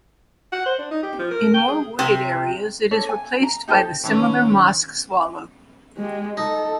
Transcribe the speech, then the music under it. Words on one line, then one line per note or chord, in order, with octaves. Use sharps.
In more wooded areas it is replaced by the similar mosque swallow.
F#5
C5
D4
D#4
G4
F3
A#4
G5
G#4
C3
D4 A4 C#5
G#5
A#5
D#4 G4 A4 C5
A2 D#3 E3 C#4 B4
G#3 G4
D#4 A4